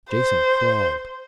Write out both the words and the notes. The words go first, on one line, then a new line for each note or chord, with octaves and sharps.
Jason crawled.
C5